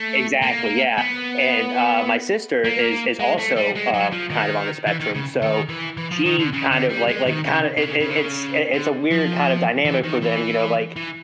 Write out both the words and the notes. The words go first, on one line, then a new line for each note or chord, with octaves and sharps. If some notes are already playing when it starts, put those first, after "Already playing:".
Exactly, yeah, and, uh, my sister is is also um kind of on the spectrum, so she kind of, like like, kind of it it it's i it's a weird kind of dynamic for them, you know, like,
Already playing: A3
A#3
B3
A#3
G#3
A3
G3
G#3
F#3
F3
D#3
E3
D#3
C#3
D#3
E3
E3
F3
D#3
D3
C#3
D3
G3
G#3
D#3
C#3
C3
C#3
C#3
D3
C#3
D3
F3
E3
D#3
E3
E3